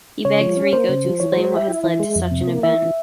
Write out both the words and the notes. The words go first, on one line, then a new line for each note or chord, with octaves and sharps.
He begs Ricco, to explain what has led to such an event.
C#3 C#5
F3
C#4
A#3 C5
C#3
F3
E3 C#5
C5
G#3
C5
G4
E5
E4
E3
G#3
F2
C3
A#3
E3 E5